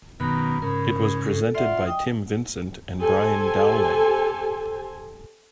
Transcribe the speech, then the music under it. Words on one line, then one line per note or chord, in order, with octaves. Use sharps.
It was presented by Tim Vincent and Brian Dowling.
F#2 B2 D#3 A#5 B5
G#2 C#3 A#4 B5
A4
F4 D5 E5 F#5 C6
D#5 G5 D#6
G4 A4 C5 G#5